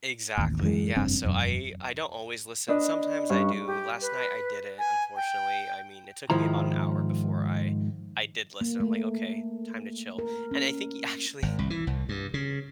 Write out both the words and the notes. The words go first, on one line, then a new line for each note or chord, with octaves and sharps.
Exactly, yeah, so I I don't always listen, sometimes I do, last night I didn't unfortunately, I mean, it took me about an hour before I I did listen, I'm like, "Okay, time to chill." And I think he actually
A1 D#2
F#2 E3 F3 G#3
F1 G2 C4
E1 F#2
D4 B4 D#5
G2 C#4 C#6
G4
B4
G#5
G5
G#2 D#3 F3 E4 A#5
A#3
A3
A#4
C#4
G#1
C2
E3
C2
G2
C#3